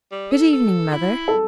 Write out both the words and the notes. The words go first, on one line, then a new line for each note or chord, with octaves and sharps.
'Good evening, Mother.'
G3
A4
A4
E4
A4